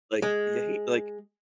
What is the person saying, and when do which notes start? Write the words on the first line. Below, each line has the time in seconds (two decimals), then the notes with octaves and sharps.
like, you hate like
0.22 G#3